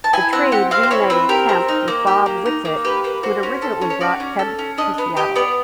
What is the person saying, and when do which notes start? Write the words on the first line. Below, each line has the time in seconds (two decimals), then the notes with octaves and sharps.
The trade reunited Kemp with Bob Whitsitt, who had originally brought Kemp to Seattle.
0.04 A5
0.13 E4 G#5
0.33 C4 F#5
0.52 G4 F#5
0.71 C4 F5
0.83 C5
0.91 E4 C#5
1.10 C4 B4
1.29 G4 A#4
1.49 C4
1.68 D#4
1.88 A#3
2.07 G4
2.26 A#3
2.46 D#4
2.65 A#3
2.85 G4 B4
3.04 A#3 B4
3.23 F#4 C5
3.43 C#4
3.62 A4
3.81 C#4
3.90 C#5
4.01 F#4 D5
4.20 C#4
4.39 A4
4.59 C#4
4.78 D4 D#5
4.98 B3
5.17 G4 D#5
5.36 B3 D5